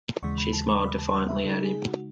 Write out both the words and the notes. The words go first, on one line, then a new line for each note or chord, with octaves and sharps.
She smiled defiantly at him.
D#2 C#3 E3 G#3 C#6
B5
A5
C#6
B5
A5
F#5
E5
C#3 G#3 D#4 A4
G#4
F#4